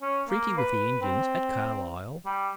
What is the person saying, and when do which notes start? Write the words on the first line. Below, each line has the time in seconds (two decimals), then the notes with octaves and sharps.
Treaty with the Indians at Carlisle.
0.02 C#4
0.28 A#3
0.58 B4
1.02 C4
2.26 G3